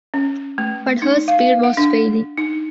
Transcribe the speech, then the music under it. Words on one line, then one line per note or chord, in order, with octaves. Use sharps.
But her speed was failing.
C#4
A3
D#4
F5
F#5
D4
D#4